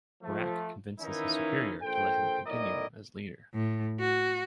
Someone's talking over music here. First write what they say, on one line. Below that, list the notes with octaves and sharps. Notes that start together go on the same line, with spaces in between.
Brack convinces his superior to let him continue as leader.
F3 A3
D#3 E3 A#3 C#4 D#4 E4
A#1 A4 C5 G5
B1 A2 E4 A#4 D5 D#5
A2
F#4